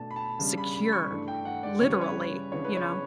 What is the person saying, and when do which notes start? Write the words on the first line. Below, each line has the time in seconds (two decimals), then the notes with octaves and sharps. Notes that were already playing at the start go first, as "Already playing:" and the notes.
secure, literally, you know?
Already playing: B2 A3 D4 A5
0.11 B5
0.16 A5
0.39 C#3 G3 D4
0.58 B5
0.74 B5
0.92 C#6
1.10 G2 E3 A3 D4
1.28 G5
1.45 F#5
1.63 D5
1.81 C#3 E3 G3 C#5
1.91 B4
2.01 C#5
2.52 C#3 E3 B3 D4 C#5
2.65 B4
2.77 C#5